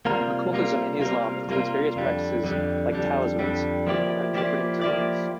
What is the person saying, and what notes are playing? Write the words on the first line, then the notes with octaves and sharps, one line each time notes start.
Occultism in Islam includes various practices like talismans and interpreting dreams.
C3 G3 A#3 F4 A#4
C3 G3 A#3 F4 A#4
C3 G3 A#3 F4 A#4
C3 G3 A#3 F4 A#4
F2 D3 G3
F2 D3 G3
F2 D3 G3
F2 D3 G3
F3 A#3 E4 G4 D5
F3 A#3 E4 G4 D5
F3 A#3 E4 G4 D5